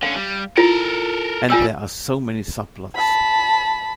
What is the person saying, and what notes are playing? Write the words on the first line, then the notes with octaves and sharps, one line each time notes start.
And there are so many subplots.
D3 C#4 F5
G3
E4 F4 A4 A#4 A5
G3 F4 G#5 E6
A5 B5